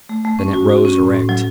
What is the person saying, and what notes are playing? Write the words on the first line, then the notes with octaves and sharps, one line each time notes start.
Then it rose erect.
A3
A3
C#4
F#4
F#4
C#4
A2
A2
F#3